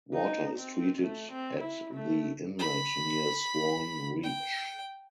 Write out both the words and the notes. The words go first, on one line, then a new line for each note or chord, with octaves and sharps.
Water is treated at the inlet near Swan Reach.
D#4
C4
A3
C4
E4
A3
B5
G5